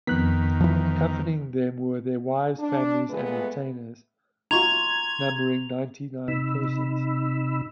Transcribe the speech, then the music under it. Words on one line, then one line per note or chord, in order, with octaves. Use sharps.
Accompanying them were their wives, families and retainers, numbering ninety-nine persons.
F2 D#3 B3 F#6 B6
E3 F3
D4
A#2 G#3 A3 B3 B4
D#4 F4 F#4 A#5 C6 C#6 G#6 F7
C3 D#4 B5 E6